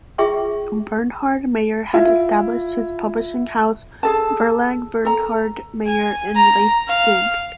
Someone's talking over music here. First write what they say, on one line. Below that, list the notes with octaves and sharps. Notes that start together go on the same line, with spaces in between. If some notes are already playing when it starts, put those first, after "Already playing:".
Bernhard Meyer had established his publishing house "Verlag Bernhard Meyer" in Leipzig.
F4 G#4 E5 G5 C#6 D6
E4 F4
G#4 A4 A5
A4 A#5
G#5
A#5
F5